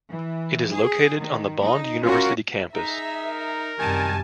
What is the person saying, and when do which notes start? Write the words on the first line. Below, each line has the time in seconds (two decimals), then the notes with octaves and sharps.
It is located on the Bond University campus.
0.10 E3
0.71 G#4
1.21 D#3
1.61 D#4
2.03 C#4 F4 F#4 A#4
2.75 D#4 G#4 E5 A#5
3.23 A#4
3.79 F#2 C3 D#3 G3 G#5 A5